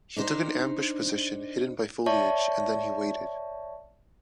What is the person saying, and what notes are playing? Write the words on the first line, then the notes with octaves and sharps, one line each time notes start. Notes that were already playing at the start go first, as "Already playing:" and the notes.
He took an ambush position hidden by foliage and then he waited.
D4 D#4 C5
C#5 D5 E5 A5 C#6